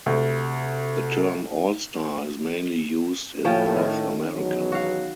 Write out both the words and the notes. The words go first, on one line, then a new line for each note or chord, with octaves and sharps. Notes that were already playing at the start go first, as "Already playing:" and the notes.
The term "all-star" is mainly used in North America.
D2 C3
A2 F3 C#4 G5
D#3
E2 B2 F#3
F#4 F5